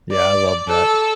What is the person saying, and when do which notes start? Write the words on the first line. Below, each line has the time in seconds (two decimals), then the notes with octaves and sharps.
Yeah, I love that.
0.12 D5
0.68 A4